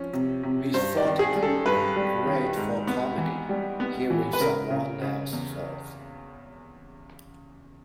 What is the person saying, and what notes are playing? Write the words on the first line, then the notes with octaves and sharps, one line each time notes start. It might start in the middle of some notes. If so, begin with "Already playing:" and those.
We thought it would be great for comedy, hearing someone else's thoughts.
Already playing: F3 C#4
C3
C3
G2 C5
D5
D#3
G#4
G3
A4
G2 B4
G3
D#3
G#2
B3
E3
G3
B3
E3
B4
C#3 A#4
C#3
C#3
E2